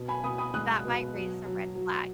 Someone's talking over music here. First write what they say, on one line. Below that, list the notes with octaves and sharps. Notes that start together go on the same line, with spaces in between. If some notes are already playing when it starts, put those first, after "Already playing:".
that might raise some red flags.
Already playing: B2
G#5 B5
B2 B5 D#6
B5 D#6
G#3 D#6 F#6
B2
F#3
F#3
F#3